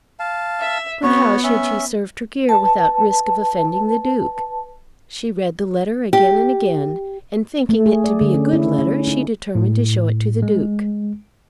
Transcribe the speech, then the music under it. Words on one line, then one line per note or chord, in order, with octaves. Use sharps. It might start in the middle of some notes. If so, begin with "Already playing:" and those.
But how should she serve Tregear without risk of offending the Duke? She read the letter again and again, and thinking it to be a good letter she determined to show it to the Duke.
F5 A5
E5
B3 F#4 C#5
C#4 E5
B4 A5
G4
A3
G#4
D5
D3
C#4
E4
C#4
D#4
A2
G#3